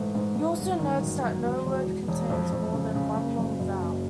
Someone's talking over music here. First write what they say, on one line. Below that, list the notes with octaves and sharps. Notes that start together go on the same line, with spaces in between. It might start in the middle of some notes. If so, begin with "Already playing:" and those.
He also notes that no word contains more than one long vowel.
Already playing: G#2 E3 A3
G#2
G#2
G1
D#3
F#2
F#3
E1
E1
E1
E1
F2
F2
C#3
C#3
F#1
F#1
F#2
F#1